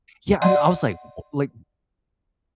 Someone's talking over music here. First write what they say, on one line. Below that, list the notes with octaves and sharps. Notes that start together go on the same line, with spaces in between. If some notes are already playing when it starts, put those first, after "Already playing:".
Yeah, and I was like like
D5 D#5 F#5 C6